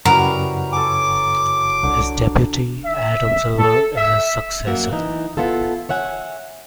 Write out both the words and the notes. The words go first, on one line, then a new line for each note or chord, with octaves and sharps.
His deputy, Adam Silver, is his successor.
F#2 C#3 E3 F#3 G3 A#4 F#5
A4 C#5 G#5 D6
C2 D3
E5
A4
E5
F#2 A#3 F#4 E5
E3 D#4
B3 E4 F4 A4
C#5 E5 F#5 G#5